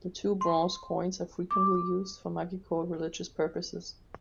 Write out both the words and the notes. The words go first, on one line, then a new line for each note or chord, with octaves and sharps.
The two bronze coins are frequently used for magico-religious purposes.
C6
D6